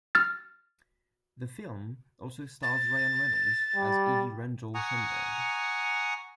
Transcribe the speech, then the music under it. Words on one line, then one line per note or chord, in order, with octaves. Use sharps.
The film also stars Ryan Reynolds as E. Randol Schoenberg.
F6 A6
A6
G3
F#5 G#5 A#5 C#6 D#6